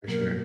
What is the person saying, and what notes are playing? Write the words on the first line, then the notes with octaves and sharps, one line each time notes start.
For sure.
B2 F#3 A#3 A#4